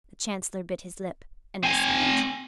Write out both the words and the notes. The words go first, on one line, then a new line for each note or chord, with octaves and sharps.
The Chancellor bit his lip, and was silent.
C4 G#5